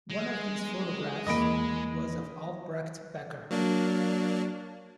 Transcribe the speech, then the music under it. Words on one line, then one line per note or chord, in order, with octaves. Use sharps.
One of these photographs was of Albrecht Becker.
G#3
E2 E3 A#3 D#5 B5 D7
F#3 A#3 D4